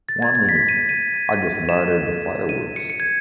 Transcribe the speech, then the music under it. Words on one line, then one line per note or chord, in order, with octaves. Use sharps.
One minute. I just lighted the fireworks.
A6
G#6
G#6
B6
D#7
D#7
E7
D#7
C#7
C#7
G#6